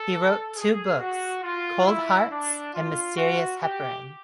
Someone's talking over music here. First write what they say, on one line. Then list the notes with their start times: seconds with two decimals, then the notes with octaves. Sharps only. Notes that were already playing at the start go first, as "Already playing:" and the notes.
He wrote two books, "Cold Hearts" and "Mysterious Heparin".
Already playing: A4
0.56 G#4
0.99 F#4
1.43 F4
1.86 E4
2.30 D4
2.73 F4
3.16 F#4
3.61 G4